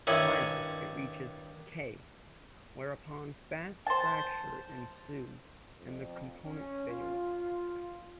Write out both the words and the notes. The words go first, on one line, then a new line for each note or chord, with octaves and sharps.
Finally it reaches "K", whereupon fast fracture ensues and the component fails.
G2 D#3 C#4 E4
C5 A5
F2
C#4
F4